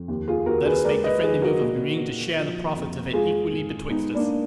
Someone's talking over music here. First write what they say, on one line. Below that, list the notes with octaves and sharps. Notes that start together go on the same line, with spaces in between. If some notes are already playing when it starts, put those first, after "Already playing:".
Let us make the friendly move of agreeing to share the profits of it equally betwixt us.
Already playing: F2
D#2
F4 G#4
D#2 F#4 A#4
G#4 B4
G#3 A#4 D5
B4 D#5
F3 G#4 B4
F#4 A#4
A#2
A#2
F3
F2
G#3 F4 G#4
G#2
G#2 B3 D#4
A#3 D4